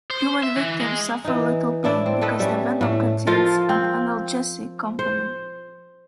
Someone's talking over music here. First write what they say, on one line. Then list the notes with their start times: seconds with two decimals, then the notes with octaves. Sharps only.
Human victims suffer little pain, because the venom contains an analgesic component.
0.10 C5
0.43 E5
0.56 E3
0.80 G#3
1.25 E3 D#4
1.84 A2 D4 E4 D5
2.06 C4
2.21 A3 A4 B4 D#5
2.39 G3 A3 C#4
2.81 A2 A3
3.27 F3 F4 A4 A#4
3.69 C4
4.99 C5